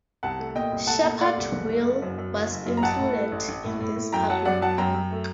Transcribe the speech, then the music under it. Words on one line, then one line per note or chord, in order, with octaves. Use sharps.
Shepherd Wheel was included in this public park.
C2 F#5 A5
A3
A#2 D#5 G5
C2
A3 F#5 A5
A#2
A3 D5 F#5
C2
F#1
A3
F#1
F#2
F#2
F#1
F#1
F#2
A#5
A1 F#5 A5
A2
A3
A1
A1
A2
A2
A2
F#2 G5 A#5
F#3 F#5 A5
F#2 D5 F#5
F#3 F#5 A5
F#2 G5 A#5
F#2
A3